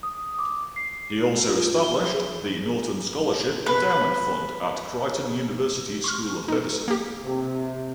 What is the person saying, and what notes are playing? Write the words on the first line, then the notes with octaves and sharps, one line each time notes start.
He also established the Norton Scholarship Endowment Fund at Creighton University School of Medicine.
D#6
D6
C7
F4
G7
G#4
B4
C6 C#6 F6
D#4 A4
A#3 G4
C3